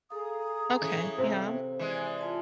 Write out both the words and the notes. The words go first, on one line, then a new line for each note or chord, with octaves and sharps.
Okay, yeah.
G#4 A4 F5 A#5 D#6
E3 C#4
C3 C4
E3 G#3 D5 G#5
F4 A5